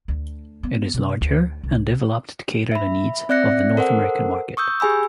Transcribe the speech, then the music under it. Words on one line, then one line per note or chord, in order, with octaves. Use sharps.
It is larger and developed to cater the needs of the North American market.
D2
B3
C3
D2
C2
E5 B5
C4 D5 E5 F#6 A#6 C#7
A4 A#4 C5 F#5
C#6 D#6 E6 G6
G4 G#4 G#5 B5 E6